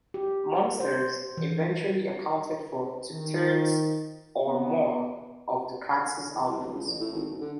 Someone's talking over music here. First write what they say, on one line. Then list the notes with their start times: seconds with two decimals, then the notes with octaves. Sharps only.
Monsters eventually accounted for two-thirds or more of Ducati's output.
0.14 G4
0.80 C5
1.37 E3
3.10 D#3
4.46 B3
6.33 E2
6.48 C2
6.61 D1
6.74 C#2
6.86 A1
7.00 A2
7.13 G#1
7.30 F#1
7.41 D3